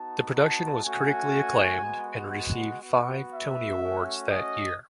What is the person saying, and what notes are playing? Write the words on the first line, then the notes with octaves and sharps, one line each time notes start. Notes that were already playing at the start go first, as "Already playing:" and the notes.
The production was critically acclaimed and received five Tony Awards that year.
Already playing: B3 D#4 F#4 A5
A5
A3 C#4 F#4 G#5
G#3 B3 F#4
F#5
B3 F#4
E5
A3 C#4 F#4
D#5